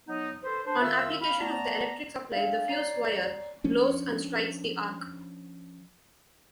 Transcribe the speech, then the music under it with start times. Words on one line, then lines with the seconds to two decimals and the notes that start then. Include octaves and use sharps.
On application of the electric supply, the fuse wire 'blows' and strikes the arc.
0.07 F#3 B3 D#4
0.44 A4 B4 C5
0.66 D4 C5
0.81 D#3 F4 E5 F5 E6
1.21 F5 B5
1.39 A3 B3 D5 A5 A#5
2.32 D4 E5 F5
2.68 C#5 D5 A#5 A6 C7
3.64 F3 C#4 D4